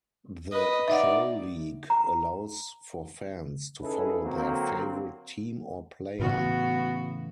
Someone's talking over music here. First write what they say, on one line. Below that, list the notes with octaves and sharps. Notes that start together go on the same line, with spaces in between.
The Proleague allows for fans to follow their favorite team or player.
B4 D#5
D#4 D5 E5 F#5
A#5
C#4 D#4 E4 G#4 A4 B4
D3 F#3 A#3 C4
A2 C#3 E3 B3 F#4